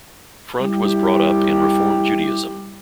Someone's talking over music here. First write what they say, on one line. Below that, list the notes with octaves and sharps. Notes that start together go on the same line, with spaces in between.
Front was brought up in Reform Judaism.
G3 E4 G4